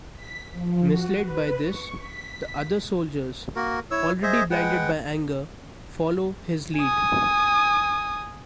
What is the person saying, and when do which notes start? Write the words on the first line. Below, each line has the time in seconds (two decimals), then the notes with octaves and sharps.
Misled by this, the other soldiers, already blinded by anger, follow his lead.
0.13 B6
0.52 F3
0.88 F#4
1.21 B4
1.62 C#6
1.97 B6
3.56 A#3 F#4 A#4
3.91 E4 C#5 E6
4.23 G#4 C5 D#5 E5
4.51 G#3 B4 F#5 G5
6.78 G#5 D#6